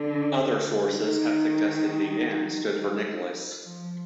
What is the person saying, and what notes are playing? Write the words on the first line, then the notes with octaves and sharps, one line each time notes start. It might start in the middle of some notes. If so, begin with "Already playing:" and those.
Other sources have suggested the "N." stood for Nicolas.
Already playing: D3
D#3
F3